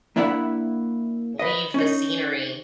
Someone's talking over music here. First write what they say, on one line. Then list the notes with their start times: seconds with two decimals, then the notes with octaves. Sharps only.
leave the scenery
0.16 A#3 D4 E4 D5 E5 F#5
1.39 B4 D#5
1.74 C#4 D#4